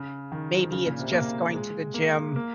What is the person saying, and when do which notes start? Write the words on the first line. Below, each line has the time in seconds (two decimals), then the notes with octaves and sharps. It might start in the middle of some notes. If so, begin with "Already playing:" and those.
Maybe it's just going to the gym
Already playing: C#3
0.32 D#3
0.51 F3
0.72 C#3
0.86 A#2
0.99 C3
1.12 A#3
1.54 G#3
1.94 A#3
2.36 A#3